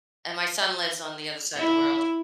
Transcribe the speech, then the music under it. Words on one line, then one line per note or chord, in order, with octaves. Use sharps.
And my son lives on the other side of the world.
E4